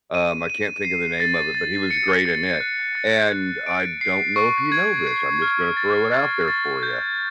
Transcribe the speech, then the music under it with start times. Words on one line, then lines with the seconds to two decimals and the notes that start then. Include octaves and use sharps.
Um, I can't think of the name of it, but he was great in it, and I don't know if you know this. I'm just gonna throw it out there for you,
0.14 D#7
0.50 D#7
0.85 C7
1.20 A6
1.55 A6
1.91 C#7
2.25 A6
2.60 F#6
2.95 A6
3.30 F#6
3.67 D7
4.01 C7
4.36 C#6
4.72 G#6
5.07 C7
5.42 F6
5.77 A6
6.12 A6
6.48 A6
6.83 G6